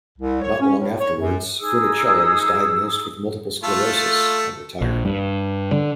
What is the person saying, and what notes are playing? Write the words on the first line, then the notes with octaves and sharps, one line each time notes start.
Not long afterwards, Funicello was diagnosed with multiple sclerosis and retired.
C2
C#5
C#4
A2
C#5
F#2
D#4 G#4 D#6 E6
A3 F4 A4
A#1
G2
D3